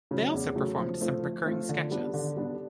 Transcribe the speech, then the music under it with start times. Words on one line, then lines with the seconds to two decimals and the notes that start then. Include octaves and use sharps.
They also performed some recurring sketches.
0.11 C#3 F#3 A3
0.34 E2
0.56 C#3 F#3 A3
0.78 F3
1.01 A3 C4 F4
1.24 F3
1.46 A3 C4 F4
1.69 D3
1.91 G3 B3 D4
2.14 D3
2.36 G3 B3 D4